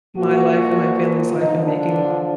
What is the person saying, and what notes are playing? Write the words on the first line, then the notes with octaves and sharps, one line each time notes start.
my life and my family's life, and making
A#2 F3 F#4
D3 F3 D#4
D4